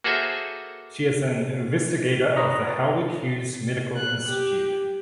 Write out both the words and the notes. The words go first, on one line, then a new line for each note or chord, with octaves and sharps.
She is an Investigator of the Howard Hughes Medical Institute.
A#3 F#4 G#4 A4 C5 E5
B4 C#5 D#5 A#5
F#6
G4